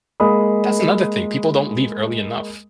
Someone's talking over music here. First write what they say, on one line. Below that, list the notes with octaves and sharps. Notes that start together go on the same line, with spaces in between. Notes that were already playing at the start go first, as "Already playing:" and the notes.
That's another thing, people don't leave early enough,
G#3 A#3 B5 D#6